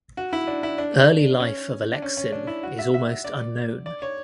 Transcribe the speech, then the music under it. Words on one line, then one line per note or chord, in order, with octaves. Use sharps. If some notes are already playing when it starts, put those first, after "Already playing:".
Early life of Aleksin is almost unknown.
F#4
E4
D4
E4
D4
C#4
D4
C#4
C#4
D4
E4
F#4
E5
E5
D5
D5
C#5